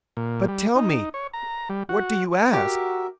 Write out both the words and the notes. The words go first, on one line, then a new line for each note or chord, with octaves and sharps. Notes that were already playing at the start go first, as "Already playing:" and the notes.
"But, tell me, what do you ask?"
A#2
G3
D#4
C#5
A#5
G3
F#4
F#4 G4 A#4 E5